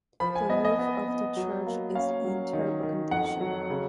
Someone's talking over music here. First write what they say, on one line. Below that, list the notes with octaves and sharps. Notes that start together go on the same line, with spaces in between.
The roof of the church is in terrible condition.
F3 B5
G#5
B3 D#5
D#5
B3
B3
F#3
A#3
C#4 F5
F#3
D#3
D#3
F2 F#5
F#3
C#3